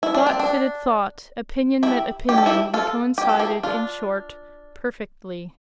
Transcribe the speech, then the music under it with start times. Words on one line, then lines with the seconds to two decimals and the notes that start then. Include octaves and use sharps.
Thought fitted thought; opinion met opinion: we coincided, in short, perfectly.
0.03 E4
0.15 D4
0.26 C4
0.40 D4
1.83 E4 G4
2.29 G4
2.38 A4
2.46 E4 G4
2.74 F4 A4
3.18 G4
3.29 A4
3.39 E4 G4
3.63 D4 F4